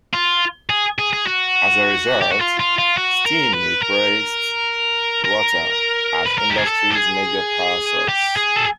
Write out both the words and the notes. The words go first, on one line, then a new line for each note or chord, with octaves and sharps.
As a result, steam replaced water as industry's major power source.
F4
G#4
G#4
G#4
F#4
G4
F#4
F4
F4
F4
F#4
A#4
B4
A#4
A#4
B4
A#4
G4
G#4
A4
G4
G#4
G4
G#4
A4